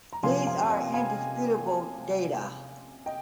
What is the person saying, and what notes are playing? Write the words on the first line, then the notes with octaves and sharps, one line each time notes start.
These are indisputable data.
A#5
C3 F3 A#3 C#4 F4 G#5 C6
F5 G#5
G#5
D#5 G5
F5 G#5
D#5 G5